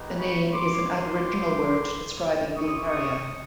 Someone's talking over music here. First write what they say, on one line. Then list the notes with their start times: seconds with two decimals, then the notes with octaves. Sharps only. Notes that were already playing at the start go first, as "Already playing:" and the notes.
The name is an Aboriginal word describing the area.
Already playing: G#3 B3 D#4 G4
0.19 B5 C#6
0.52 C6 D6
0.87 C6 D6
1.20 B3 E4 G4
2.55 C4 E4 G4 C#6 D#6
2.89 C#6 D#6